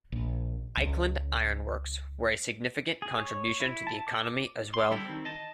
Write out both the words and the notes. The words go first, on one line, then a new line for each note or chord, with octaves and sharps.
Eikeland Ironworks were a significant contribution to the economy as well.
A#1
C#2
G#4
C#5
E4
A5
D6
C6
D3 G3 E4 G4 A4
D#3 C4
D#5 A5